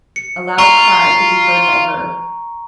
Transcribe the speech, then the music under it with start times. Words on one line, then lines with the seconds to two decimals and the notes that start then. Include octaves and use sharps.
A loud cry could be heard by her.
0.16 C#7
0.58 F4 A#5 C#6